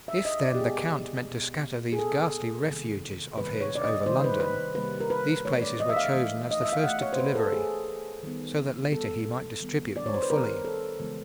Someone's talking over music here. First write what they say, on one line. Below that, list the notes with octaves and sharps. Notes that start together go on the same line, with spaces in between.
If then the Count meant to scatter these ghastly refuges of his over London, these places were chosen as the first of delivery, so that later he might distribute more fully.
E5
D#5
D5
G4
B2 G#3 B3 G#4
B2 G#3 B3
G#4
B2 G#3 B3 A4
C3 D#3 G3 A#3
C3 D#3 G3 A#3 B4
C#5
D5
D#5
C3 D#3 G3 A#3 C5
B4
B4
C3 D#3 G3 A#3 B4
A#4
B4
E3 A3 C#5
D5
D#5
E5
F5
E3 A3
D#5
E5
F5
E3 A3 F#5
C#5
C5
B4
A4
E3 A3 G#4
D#3 G3 B3
D#3 G3 B3 A4
D#3 G3 B3
D5
C#5
C5
B4
D#3 G3 B3 A#4
A4
C#3 E3 G#3 B3